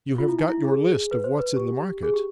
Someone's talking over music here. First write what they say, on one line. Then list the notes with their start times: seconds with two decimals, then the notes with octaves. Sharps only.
You have got your list of what's in the market?'
0.18 F4
0.28 E4
0.39 D#4
0.49 E4
0.65 G#4
1.11 B4
1.24 C5
1.39 B4
1.56 G4
2.03 G#4
2.14 G4